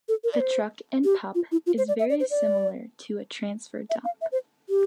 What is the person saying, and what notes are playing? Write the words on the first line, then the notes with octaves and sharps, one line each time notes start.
A "truck and pup" is very similar to a transfer dump.
A4
A#4
D5
C5
G4
F4
E4
F4
C5
D5
E5
D5
C5
D5
E5
F5
E5
C5
G4